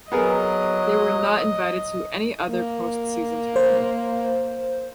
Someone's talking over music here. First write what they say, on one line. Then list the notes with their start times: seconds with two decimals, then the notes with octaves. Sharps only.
They were not invited to any other postseason tournament.
0.12 F#3 B3 G#4 A#4 D#5
2.49 A#3
3.56 C5